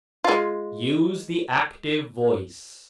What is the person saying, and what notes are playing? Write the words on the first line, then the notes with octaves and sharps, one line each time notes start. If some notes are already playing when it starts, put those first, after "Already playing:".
Use the active voice.
G#3 F4